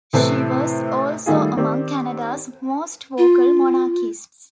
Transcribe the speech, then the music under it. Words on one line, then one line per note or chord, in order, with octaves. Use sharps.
She was also among Canada's most vocal monarchists.
A2 C3 E3 A4 B4 C5
D#3 G3 A3 D#4 F4 G#4
D#3 C4 G4 D5
F4